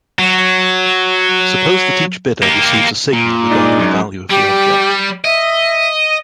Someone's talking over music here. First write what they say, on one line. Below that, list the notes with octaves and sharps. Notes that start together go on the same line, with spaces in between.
Suppose that each bidder, receives a signal regarding the value of the object.
F#3
A#3 G4
A#2
G#3 D4 D#4
F#2
G3 G4
D#5 E5